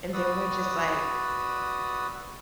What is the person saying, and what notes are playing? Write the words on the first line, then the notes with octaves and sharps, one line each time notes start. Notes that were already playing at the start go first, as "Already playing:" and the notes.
and then we're just, like,
F#4 B4 D5 D#6 E6